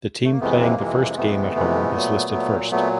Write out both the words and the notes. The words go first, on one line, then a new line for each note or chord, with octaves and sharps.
The team playing the first game at home is listed first.
A3
A#3
F2 C3 E3 G#3 A3 B3
G#3 A#3
F2 C3 E3 G#3
F2 C3 E3 G#3 A3 B3
F2 C3 E3 G#3
A#2 F#3
A#2 F#3
A#2 F#3 A3 B3